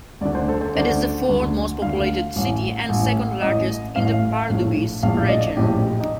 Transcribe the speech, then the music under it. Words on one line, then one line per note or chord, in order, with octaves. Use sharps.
It is the fourth most populated city and second largest in the Pardubice Region.
D2 D3 D5
C5
A4
C5
D2 D3 D5
D2 D3
D2 D3 F5
A1 A2
A1 A2
A1 A2 D#5
A1 A2 F5
A#1 A2
A#1 A2 F5
D5
D#5
A#1 A2 G4
D#4